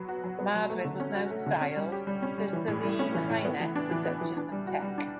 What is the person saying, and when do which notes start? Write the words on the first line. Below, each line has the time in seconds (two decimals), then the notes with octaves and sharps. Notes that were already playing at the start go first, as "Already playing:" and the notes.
Margaret was now styled, "Her Serene Highness The Duchess of Teck".
Already playing: F#3 B3
0.08 F#4
0.24 F#3
0.39 B3
0.54 F#3
0.70 A3
0.84 D3
1.00 C#4
1.15 F#4
1.30 A3
1.46 D3
1.61 C#4
1.76 G3
1.92 G4
2.07 G3
2.22 C#4
2.38 G3
2.53 E3
2.68 A2
2.83 G3
2.99 C#4
3.14 E3
3.29 A2
3.45 B3
3.60 E3
3.76 D4
3.91 E3
4.06 B3
4.21 E3
4.37 D4
4.52 G3
4.67 F#4
4.82 G3
4.98 D4